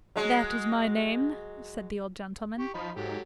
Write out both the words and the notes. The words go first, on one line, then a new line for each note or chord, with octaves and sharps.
'That is my name,' said the old gentleman.
F#3 G#3
G4 C#6
F3 D#4 B5
G#2 F#3 G4 A4